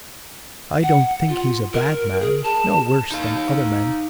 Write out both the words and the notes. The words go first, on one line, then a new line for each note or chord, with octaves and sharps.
I don't think he's a bad man--no worse than other men.
F#5
F4
A#4
G#4
A5
D#4 F5